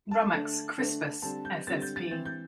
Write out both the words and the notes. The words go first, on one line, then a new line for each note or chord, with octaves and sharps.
"Rumex crispus" ssp.
A5
D3 A3 D4
D3 A3 D4
D3 G3 C4 A5
G6
D3 G3 C4 A6
G6
A6
E3 C4 G6
G6